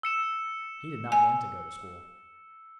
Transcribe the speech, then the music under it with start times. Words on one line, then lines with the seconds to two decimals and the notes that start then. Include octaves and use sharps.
He did not want to go to school.
0.03 E6 C#7 E7
1.12 G#5